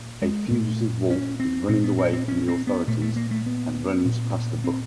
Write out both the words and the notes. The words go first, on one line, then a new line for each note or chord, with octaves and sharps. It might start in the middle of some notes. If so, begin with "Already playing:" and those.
A fugitive wolf is running away from the authorities and runs past the book.
Already playing: A#2
G#3
A#2 A3
C#4
C4
A#2 C4
B3
C4
C4
C#4
C4
B3
A#2 A3
A3
A#3
A3
B3
A#2
C4